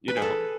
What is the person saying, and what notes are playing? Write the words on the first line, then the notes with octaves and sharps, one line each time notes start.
you know,
B4
G#4
A4